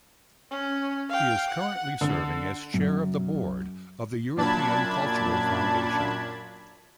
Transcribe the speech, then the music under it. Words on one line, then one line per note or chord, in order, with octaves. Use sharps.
He is currently serving as chair of the Board of the European Cultural Foundation.
C#4
F5 G5
F#5
D3
F#2
F#2 A#2 D4 A5 B5 G#6